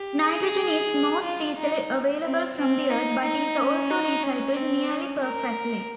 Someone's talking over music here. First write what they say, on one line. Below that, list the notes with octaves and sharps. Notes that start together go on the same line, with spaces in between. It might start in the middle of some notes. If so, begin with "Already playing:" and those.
Nitrogen is most easily available from the Earth, but is also recycled nearly perfectly.
Already playing: G4
G#4
F4
D#4
C4
C4
D#4
D#4
C#4
D#4
C#4
C4
C#4
A#4